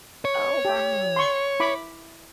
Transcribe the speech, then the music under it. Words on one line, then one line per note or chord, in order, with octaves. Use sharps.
Oh, wow.
C#5
G4
C6 C#6
E4 B5 D6